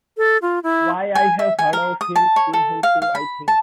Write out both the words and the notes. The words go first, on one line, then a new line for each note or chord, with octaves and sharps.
Why, I have heard of him — seen him too, I think.
A4
F4
E4
G#5
E5
G#5
A#4
D#6
A5
C#5
A4
F5
F5
B5
A5